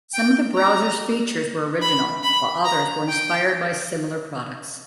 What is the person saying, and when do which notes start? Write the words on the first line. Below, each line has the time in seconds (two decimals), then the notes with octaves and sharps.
Some of the browser's features were original, while others were inspired by similar products.
0.14 G5
0.54 A#5
1.82 B5
2.23 B5
2.65 A#5
3.08 G5